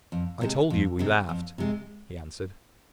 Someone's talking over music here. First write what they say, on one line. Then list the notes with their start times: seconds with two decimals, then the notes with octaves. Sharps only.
'I told you we laughed,' he answered.
0.12 F2
0.41 C3 G#3
0.70 F2
0.99 C3 G#3
1.29 F2
1.58 C3 G#3